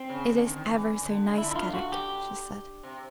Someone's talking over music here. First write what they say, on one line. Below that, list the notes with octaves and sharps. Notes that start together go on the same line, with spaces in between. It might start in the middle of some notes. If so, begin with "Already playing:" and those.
"It is ever so nice, Kadok," she said.
Already playing: C4
C#3
D3
D#3
D#3
E3
D3
C#3
D3 E4
E4
F4
F#4
G4
C3